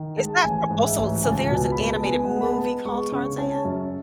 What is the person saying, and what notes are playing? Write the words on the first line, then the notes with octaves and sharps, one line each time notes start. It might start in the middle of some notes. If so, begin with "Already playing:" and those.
Is that from also, so there's an animated movie called Tarzan?
Already playing: D#3
G#3 A5
A1 G#5
G#2
E5
A1
C#2 G#5
A5
G#5
B2 G#5
B5
G#3 A5
B3 G#5
F#5
G#3
B5
A5
B3
G#3 C#6
C#3 C#6
C#4 A5
F#2